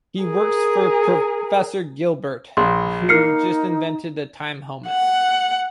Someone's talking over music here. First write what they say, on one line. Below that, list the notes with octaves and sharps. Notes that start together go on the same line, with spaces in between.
He works for Professor Gilbert, who has just invented a time helmet.
G#4 A#4
A#1 C6
A#3 D#4 F6 C7 C#7
F#5